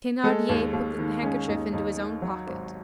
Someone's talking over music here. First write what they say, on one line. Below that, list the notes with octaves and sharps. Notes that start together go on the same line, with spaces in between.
Thenardier put the handkerchief into his own pocket.
G#3 A4
D#2
D#2
D#3
G#3 C#4
D#2 D#4
D#2 D#4
D#3
F#3
G#1